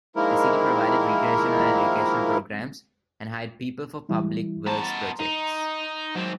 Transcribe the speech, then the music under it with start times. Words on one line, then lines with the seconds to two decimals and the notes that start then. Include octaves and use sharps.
The city provided recreational and educational programs, and hired people for public works projects.
0.16 D#3 F3 G#3 A#3 E4 A#4
4.09 E3 G3 E4
4.66 B3 A5 A#5 C6
5.20 D#4
6.15 G#2 F#3 C4